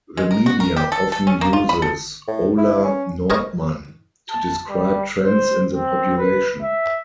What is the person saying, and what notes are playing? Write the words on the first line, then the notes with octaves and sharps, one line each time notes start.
The media often uses "Ola Nordmann" to describe trends in the population.
G#3
A#4
F#4
A#4
G4
A4
A4
C#4
A#3
F4
B5
A4
A2
E4
C#4
G#4 A#4 C5 C#5 D#5
A5
G3
C5
C4
B4
E5